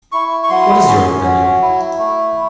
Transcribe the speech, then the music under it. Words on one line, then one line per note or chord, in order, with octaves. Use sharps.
What is your opinion?
E4 C#6
C#6
F#3 C6
C#4
F#3
E4
A3